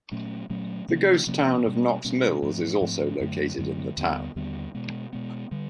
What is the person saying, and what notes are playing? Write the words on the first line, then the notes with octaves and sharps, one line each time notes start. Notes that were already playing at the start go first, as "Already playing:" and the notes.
The ghost town of Knox Mills is also located in the town.
A#2 F#3 A3 C#4
A#2 F#3 A3 C#4
C3 F3 A#3 C#4
C3 F3 A#3 C#4
B2 G3 A#3 C#4
B2 G3 A#3 C#4
G#2 F3 A3 C4
G#2 F3 A3 C4
F#2 D3 F#3 A3
F#2 D3 F#3 A3
D#2 D3 G3 B3
D#2 D3 G3 B3
B2 G#3 B3
B2 G#3 B3
D3 G3